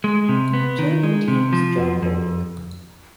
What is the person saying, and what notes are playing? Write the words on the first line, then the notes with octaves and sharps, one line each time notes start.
Two new teams joined the league.
G#3
C3
B3
D#3
G#3
C3
F3
F2
F2